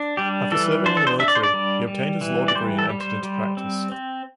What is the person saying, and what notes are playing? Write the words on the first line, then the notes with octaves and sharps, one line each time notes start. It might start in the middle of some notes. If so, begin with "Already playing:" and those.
After serving in the military, he obtained his law degree and entered into practice.
Already playing: D4
G3 G4
E3 A4
D4 C5
A4
C5
D4 E5
D5
C5
D5
G3
G3
E3
D5
G3 C5
A4
G3
C5
G3
C4
C4